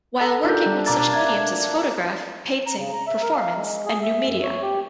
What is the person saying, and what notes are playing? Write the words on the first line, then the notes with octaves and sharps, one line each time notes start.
While working with such mediums as photograph, painting, performance and new media.
A4 A#5
D4 D#4 F4 G4 A#4
G3
B2 A#3 D4 D6 A6
E5 G#6
A#5
C#3
A#5
E5
A#4
F5
G#3
G#4
E5
F#2
C#5
G4